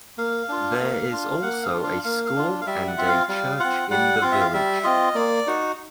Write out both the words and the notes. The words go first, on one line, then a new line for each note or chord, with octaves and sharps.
There is also a school and a church in the village.
A#3 F5
D4 F4
A#3
D4 F4
A#3 F#5
F5
D4 F4
F5
A#3 F5
F5
D4 F4
F5
G3 E5
F#5
C4 F4 E5
F5
G3 F5
C4 F4 F#5
G3 F#5
C4 F4 F5
E5
F5
G3 E5
C4 F4 D#5
A#3 D5
D#4 F#4